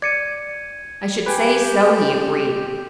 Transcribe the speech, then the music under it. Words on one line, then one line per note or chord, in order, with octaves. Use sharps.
"I should say so," he agreed.
D5 G#6 C#7 D#7
G4 B4 G5 G#5